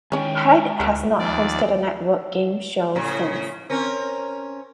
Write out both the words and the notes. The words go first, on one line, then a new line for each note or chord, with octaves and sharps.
Peck has not hosted a network game show since.
D#3 G#3 C#4 E4 C#5 G5
D2 A#4 F#5
D#2 F3 D5
A2 C#3
C4 C#4 A#4